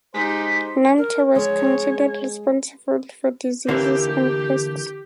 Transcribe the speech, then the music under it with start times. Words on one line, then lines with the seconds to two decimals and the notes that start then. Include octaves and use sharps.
Namtar was considered responsible for diseases and pests.
0.14 G#3 D#4 G4 C5 B6
0.98 A#4
1.36 G#3 C#5
3.68 D3 E3 A#3 G4